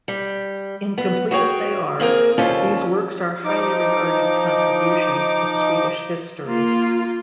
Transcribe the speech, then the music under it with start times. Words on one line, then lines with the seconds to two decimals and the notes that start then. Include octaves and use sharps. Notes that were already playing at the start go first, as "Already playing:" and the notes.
Incomplete as they are, these works are highly regarded contributions to Swedish history.
0.08 G3
0.98 B3
1.31 F#4 G#4 C#5 G5
2.00 A#3 C4 G#4 A#4
2.38 D#2 G3 C#4 F4 A4 C5
3.45 F3 D#4 D6
6.46 A#3 F4